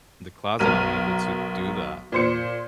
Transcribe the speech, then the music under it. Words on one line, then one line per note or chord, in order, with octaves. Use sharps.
the closet, I'm able to do that, and
B1 A#4 F6 D#7
A#2 C5 C#7